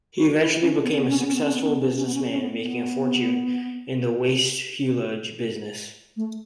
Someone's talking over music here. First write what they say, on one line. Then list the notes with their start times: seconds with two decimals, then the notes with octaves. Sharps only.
He eventually became a successful businessman, making a fortune in the waste-haulage business.
0.17 F#4
0.40 E4
0.62 C#4
0.84 B3
0.92 C#4
1.01 B3
1.09 C#4
1.19 B3
1.27 C#4
1.36 B3
1.44 C#4
1.53 B3
1.62 C#4
1.70 B3
1.79 C#4
1.89 B3
1.97 C#4
2.06 B3
2.14 C#4
2.23 B3
2.32 C#4
2.41 B3
2.61 B3
6.17 A3